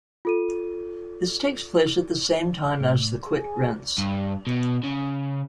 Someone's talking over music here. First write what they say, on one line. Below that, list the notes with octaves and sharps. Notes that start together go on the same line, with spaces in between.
This takes place at the same time as the Quit Rents.
F4 A4 D#7
A2
G#4
G2
B2
C#3